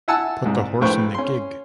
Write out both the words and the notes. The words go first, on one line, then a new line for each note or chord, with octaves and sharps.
Put the horse in the gig!
E5 F#5 G#5 A5 E6
C2 G#2
A#1 A2 B4 C5 G5 C#6
C#4 C6